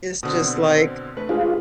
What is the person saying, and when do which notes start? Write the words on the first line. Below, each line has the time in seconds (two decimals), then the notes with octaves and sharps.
it's just, like
0.23 B2 D3 C4 D#6
1.17 A3 B4
1.29 G#3 F4